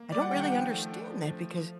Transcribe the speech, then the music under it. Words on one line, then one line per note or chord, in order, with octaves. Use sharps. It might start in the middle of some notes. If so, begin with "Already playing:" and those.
I don't really understand that because
Already playing: A#3
G3 D5
F#5
D#3 G5
F#5
F3 G5
A3
D4
F3
A3
F3